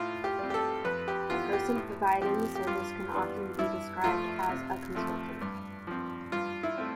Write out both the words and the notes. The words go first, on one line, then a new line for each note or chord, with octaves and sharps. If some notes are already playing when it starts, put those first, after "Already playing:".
A person providing the service can often be described as a consultant.
Already playing: A2 F4
G4
G3 C4
G4
A4
F2 B4
G4
E3 B3 F4
G4
A2
F3 C4 G4
G4
G2 F4
E3 G3 B3
G2 E4
F3 A3 F4
C3
F3 A3 C4
G2
F3 C4
G2 F4
E4
A3 C4